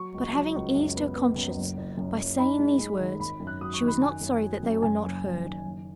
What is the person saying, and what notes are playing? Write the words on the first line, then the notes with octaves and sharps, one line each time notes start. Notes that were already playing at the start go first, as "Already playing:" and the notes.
But having eased her conscience by saying these words, she was not sorry that they were not heard.
Already playing: F#3 C#6
C#2
F#3
C#2
F#2
B3
B3
F#2
F#1
F#1
F#2
F#2
D#4 B5
G#3
G#3
D#3
G#1 B5
F#2
F#6
F#3 D#6
C#6
D#3
B5
F#2 G#5
F#2
F#3
F#2
F#2 G#5
F#1
F#1
D#3
F#1